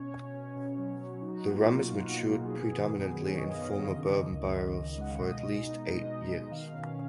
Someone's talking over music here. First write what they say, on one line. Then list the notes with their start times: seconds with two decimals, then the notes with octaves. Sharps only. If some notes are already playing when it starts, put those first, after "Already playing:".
The rum is matured predominately in former bourbon barrels for at least eight years.
Already playing: B2 C#4 C#5
0.12 B2
0.34 C#4
0.56 B2
0.78 F#3
1.00 F#3
1.22 D#4 F#4
1.44 A#3 F4
1.66 B2 F4
1.88 B2 F#4
2.04 F4
2.11 B2
2.33 B2
2.38 G#4
2.55 B3
2.77 D#3
2.99 F#2
3.21 D#3 C#5
3.37 D#5
3.43 B3
3.54 F5
3.65 D#3
3.70 D#5
3.87 C#3
4.09 C#3
4.31 C#2
4.53 C#2
4.75 C#3
4.98 G#3 F#5
5.10 F5
5.19 B2 D#5
5.41 B2
5.63 D#4
5.86 G#3 D#5
6.08 D#4
6.29 B2
6.51 D#3 F5
6.74 C#4